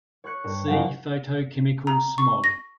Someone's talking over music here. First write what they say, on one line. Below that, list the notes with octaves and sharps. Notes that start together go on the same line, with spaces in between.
See photochemical smog.
C#5 C#6 F#6 C#7
G2
F#1 F#3 F#4 G4 F5
A#5
C#6
A#6